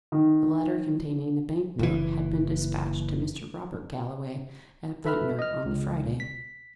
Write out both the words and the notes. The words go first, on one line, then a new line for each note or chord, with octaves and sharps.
The letter containing the bank-note had been despatched to Mr. Robert Galloway, at Ventnor, on the Friday.
D#3
F#1 E3
A4 B4 E5 B5 F6
D#5 F6
C#2
B6